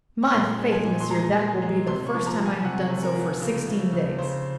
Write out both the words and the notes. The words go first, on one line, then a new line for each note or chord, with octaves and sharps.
"My faith, monsieur! that will be the first time I have done so for sixteen days."
C#6
A#2 C6
G#3
G#5
A#2
C6
G#3 A#5
G#3
G#3
C3 C6
C#6
F3
A#5
F3
G#5
C3 F#5
C3
A#4
F3
C#3
C#3
C#3
C#3 C5